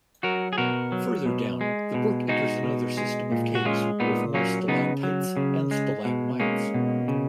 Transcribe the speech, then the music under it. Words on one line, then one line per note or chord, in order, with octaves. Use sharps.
Further down, the brook enters another system of caves with more stalactites and stalagmites.
F#3 F#4 A#4
G#4
B2 F#4 A#4
F#3
B2
G#3
B2
G#3 D#4 F#4
B2
G#3
A#2
F#4
G#3 C#4 F4
A#2 B3 D#4
F#3 A#3 C#4
C#3 B3 D#4
F#3
C#3
G#3
B2
G#3 A#3 C#4
B2
C#3